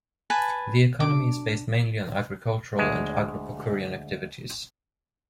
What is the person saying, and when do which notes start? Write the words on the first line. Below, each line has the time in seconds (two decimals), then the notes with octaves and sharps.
The economy is based mainly on agricultural and agropecuarian activities.
0.30 B4 G#5 A5
1.00 B2 D4 D6
2.79 D2 G#3